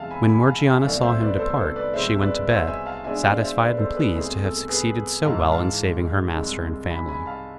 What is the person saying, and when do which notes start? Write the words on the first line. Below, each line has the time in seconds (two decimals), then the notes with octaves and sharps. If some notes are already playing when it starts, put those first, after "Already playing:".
When Morgiana saw him depart, she went to bed, satisfied and pleased to have succeeded so well in saving her master and family.
Already playing: E2 C3 G#3 E5 F5 G#5 A5
0.10 G#5 B5
0.29 G#5 B5
0.47 F5 A5
0.66 E5 G#5
0.84 C2 B2 A3 D5 F5
1.03 C5 E5
1.20 B4 D5
1.39 A4 C5
1.57 A4 C5
1.76 B4 D5
1.94 C2 B2 G#3 C5 E5
2.21 B4 D5
2.49 C5 E5
2.68 E5 G#5
2.86 F5 A5
3.04 B2 G#3 D4 E5 G#5
3.23 D5 F5
3.41 C5 E5
3.59 B4 D5
3.78 A4 C5
3.96 G#4 B4
4.14 C2 B2 A3 C4 G#4
4.42 A4
4.70 G#4 B4
5.24 G#2 E3 G#3 F5 A5
5.52 F5 A5
6.34 C2 C3 G#3
6.89 G#5 B5
7.08 G#5 B5
7.26 F5 A5